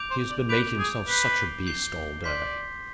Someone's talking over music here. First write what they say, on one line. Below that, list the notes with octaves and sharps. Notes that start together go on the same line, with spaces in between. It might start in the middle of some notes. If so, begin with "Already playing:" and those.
He has been making himself such a beast all day.
Already playing: D6 G6 D7 F7
C5
D5
B4 D6 G6 D7 F7
G#4
B4 G6 C7 G7
G6 C7 G7
D5 C6 G6 B6